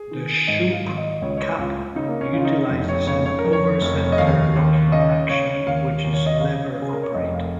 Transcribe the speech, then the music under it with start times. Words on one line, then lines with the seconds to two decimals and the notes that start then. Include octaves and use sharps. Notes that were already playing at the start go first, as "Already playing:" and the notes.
The Shubb Capo utilises an "over-centre" locking action, which is lever operated.
Already playing: G#4
0.11 D#3
0.47 G#2 D#5
0.72 F5
0.85 G#1
0.97 D#5
1.22 C#2 C#5
1.30 D#5
1.37 C#5
1.59 C#2 F4
1.95 C#3 D#4
2.08 A#3
2.21 C#4
2.33 C#3 F4
2.45 D#4
2.69 F1
2.89 C#5
3.07 C#3 C#5
3.26 C#5
3.39 A#4
3.44 F2
3.53 C#5
3.81 F1
4.12 D#5
4.18 D#2 F5
4.56 D#2
4.92 C#3 D#5
5.29 C#3 C#5
5.67 D#2 F5
6.04 D#2
6.14 C#5
6.26 D#5
6.40 C#3 F5
6.78 C#3 G#4
6.93 A#4
7.03 C#5
7.14 F1 D#5
7.33 F5